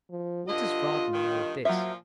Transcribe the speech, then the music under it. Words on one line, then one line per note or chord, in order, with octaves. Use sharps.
What does Vardon know of this?
F3
G2 D3 F4 D#5
G2 D#3
A#2 F3 F#3 E5